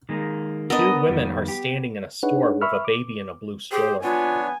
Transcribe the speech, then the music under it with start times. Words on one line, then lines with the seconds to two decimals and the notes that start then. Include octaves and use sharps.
Two women are standing in a store with a baby in a blue stroller.
0.09 D#3 G#3 A#3
0.70 B3 D4 A#4 D#5
1.08 F2 D#3 G3
1.48 G4
2.23 D4 D#4 G#4 B4 C#5 F#5
2.61 E5 B5 C#6 E6 F6
2.85 D6
3.72 G4 G#4 C5
4.03 B3 D4 F4 C#5 G#5